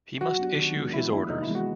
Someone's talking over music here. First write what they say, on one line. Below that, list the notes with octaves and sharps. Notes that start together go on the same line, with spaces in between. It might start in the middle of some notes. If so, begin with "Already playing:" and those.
He must issue his orders.
F#3 F#4
B3 D4 G4
D#3
G#3 B3 D4 F#4
F3 E4
A#3 D4 E4
C3 D#4
E4
E3 G#3 B3
F#4